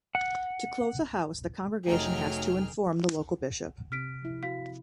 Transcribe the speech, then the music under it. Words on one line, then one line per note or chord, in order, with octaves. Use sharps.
To close a house, the congregation has to inform the local bishop.
F#5
F1 F#3 A3 D#4 G#4 G5 A#5 F6
C3 F6 B6 D7
F3 E4
F#4 F5 B6